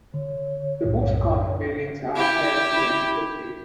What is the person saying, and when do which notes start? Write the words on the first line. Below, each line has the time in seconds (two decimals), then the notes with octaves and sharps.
The most common variants are Kielty and Quilty.
0.14 D3 C#5
0.84 B1 F#2 A2
2.16 E4 G4